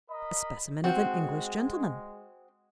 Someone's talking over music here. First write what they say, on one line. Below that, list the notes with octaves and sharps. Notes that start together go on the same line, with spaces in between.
"A specimen of an English gentleman."
A#4 D#5 B5
G#3 C4 F#4